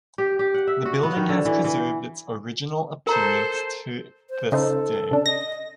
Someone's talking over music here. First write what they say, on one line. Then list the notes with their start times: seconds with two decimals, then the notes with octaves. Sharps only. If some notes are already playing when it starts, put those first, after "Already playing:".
The building has preserved its original appearance to this day.
0.18 G4
0.39 G4
0.54 F#5
0.67 E5
0.85 F#4
1.03 B3
1.16 D#3
1.29 D3
1.45 E3
1.64 E3
3.07 A4 A#4 C5 A#5
4.30 C5
4.52 C#3 D#4 A4 C5
5.11 C#3 D4
5.26 D#5 A#6